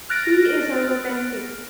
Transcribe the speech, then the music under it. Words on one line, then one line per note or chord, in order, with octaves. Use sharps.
He is a romantic.
F6 F#6 A6 A#6 D7